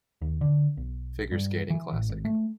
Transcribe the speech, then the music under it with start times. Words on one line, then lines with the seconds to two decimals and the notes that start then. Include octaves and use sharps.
Figure Skating Classic.
0.22 D#2
0.41 D3
0.77 B1
1.32 G2
1.70 E3
1.93 A1
2.09 G#1
2.25 A3